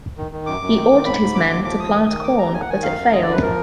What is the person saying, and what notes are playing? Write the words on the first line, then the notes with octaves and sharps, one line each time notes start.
He ordered his men to plant corn but it failed.
D#3
D#3
F#2 D6
F#2
D#3
D#3
G#2 B5
G#2
D3 D6
D#2 D6
F3 D6
D#2 D#6
D#3
D#3
D#2 D6
D#2 A#5
D#3 G#5
F#5
D#3 G#5
F#2 F5
F#2
D3 D#5
D5
F#2 B4
F3 A#4